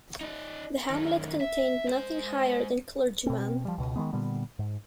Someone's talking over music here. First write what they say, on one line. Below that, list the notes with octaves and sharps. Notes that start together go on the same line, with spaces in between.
The hamlet contained nothing higher than clergyman.
D#4 D5
F#2 D#3
E5
G#3 C5
B2 C4
F3 G3
C#2 B2
D#3 E3 G#3 B3
A#2 D3 G3 B3
G#2